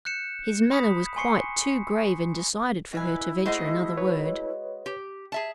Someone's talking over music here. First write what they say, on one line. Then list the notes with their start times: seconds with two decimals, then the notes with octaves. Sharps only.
His manner was quite too grave and decided for her to venture another word.
0.05 F#6 G6 C#7 E7
0.71 B5 D#6 B6
1.16 G#5 C6 C#6 C7 C#7
2.93 B2 E4 B4 G#5
3.45 G#3 A3 F#4 C5 D#5
3.97 B4 C#5
4.86 G4
5.32 G#4 E5 A5